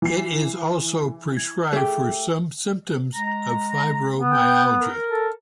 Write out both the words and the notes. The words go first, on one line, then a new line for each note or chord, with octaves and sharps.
It is also prescribed for some symptoms of fibromyalgia.
E3 C7
G#6
A3 G4 G#4
G#3 A#5
B3
G5
A#4
A4